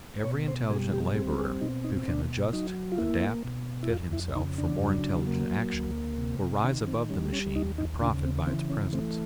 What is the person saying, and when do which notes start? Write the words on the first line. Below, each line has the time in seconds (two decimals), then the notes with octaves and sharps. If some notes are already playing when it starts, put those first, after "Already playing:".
Every intelligent laborer who can adjust, adapt, fit himself for more intelligent action will rise above the machine and profit by its presence.
0.24 B2 C#5
0.48 C5
0.70 G3 G#4
0.93 G4
1.15 C4 G#4
1.39 G#4
1.61 B2 D#4
1.84 D#4
2.08 B2 D4
2.53 F#3 D#4
2.92 F4
2.98 A#3 E4
3.45 B2
3.83 E4
3.90 F2 F4
4.13 E4
4.35 C#3 D#4
4.58 D4
4.82 F#3
5.27 A#3
5.73 D2
6.18 C3
6.64 D#3 C#4
6.87 C4
7.09 G3 C#4
7.32 C#4
7.56 D#2 D#4
7.78 D#4
8.01 C#3 D4
8.24 C4
8.47 E3 C4
8.70 C#4
8.93 A3 C4